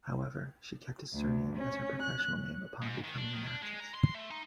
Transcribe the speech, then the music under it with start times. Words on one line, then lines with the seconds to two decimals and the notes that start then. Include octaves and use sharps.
However, she kept his surname as her professional name upon becoming an actress.
1.14 D2
1.56 C#4
2.02 F#6
2.82 G#2
3.05 D#3
3.18 D4
3.33 D#3
3.47 D4
3.63 G#3
3.80 A#5
3.94 C6
4.15 A3
4.31 D#4